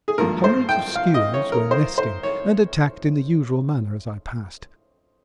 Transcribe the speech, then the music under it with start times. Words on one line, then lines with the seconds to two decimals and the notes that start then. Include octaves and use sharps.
Hundreds of skuas were nesting and attacked in the usual manner as I passed.
0.08 G#4
0.18 G#1 G2 F3 A#3 A#4
0.44 C5
0.69 G5
0.95 F5
1.14 D#5
1.34 C#5
1.52 A#4
1.71 C5
1.98 C5
2.23 C#5